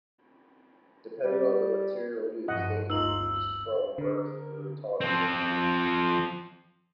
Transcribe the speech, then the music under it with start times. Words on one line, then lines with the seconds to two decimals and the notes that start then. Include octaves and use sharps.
Depending on the material used, they can be used from birth through toddler years.
1.25 G3
2.48 G2 F3 D#5 F#5
2.90 G1 D2 D#4 F4 E6 F#7
3.98 D3 A#4
5.01 F3 C4